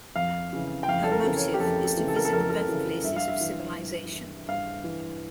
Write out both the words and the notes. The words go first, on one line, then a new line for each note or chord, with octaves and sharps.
Her motive is to visit the birthplaces of civilisation.
F2 F5
C#3 E3
G5
F2 F5
A4
A#4
C#3 E3
C#5
G4
F2 A4
A4
C#3 E3
A4
A#4
A4
F2 A#4
A4
A#4
A4
C#3 E3
G2 E5
F5
E5
E3
G2
E3
G2 F5
E3